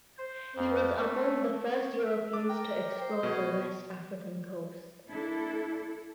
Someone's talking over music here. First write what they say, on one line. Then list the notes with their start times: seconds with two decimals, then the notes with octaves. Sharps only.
He was among the first Europeans to explore the West African coast.
0.18 C5
0.56 F2
0.97 A3
1.76 C#5
2.05 E5
2.33 D4 D6
2.50 A#4 G5
3.02 C5
3.23 B2 C#5
5.09 A#3 D4 E4 A4